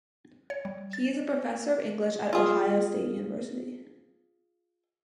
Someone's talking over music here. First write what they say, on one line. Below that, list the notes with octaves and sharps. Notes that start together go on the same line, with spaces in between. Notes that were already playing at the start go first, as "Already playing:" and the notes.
He is professor of English at Idaho State University.
C#5
G3
A6
F4 G#4